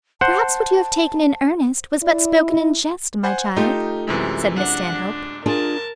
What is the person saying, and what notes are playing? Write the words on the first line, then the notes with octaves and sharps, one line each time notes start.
"Perhaps what you have taken in earnest, was but spoken in jest, my child," said Miss Stanhope.
C5 F#5 A5
E4 D5
D#5
C5 F#5 G#5
A3 D#4 F4 G4
F#2 C3 E3 G#3
D4 F#5
D4
D4 F4 G#4 A#4 A5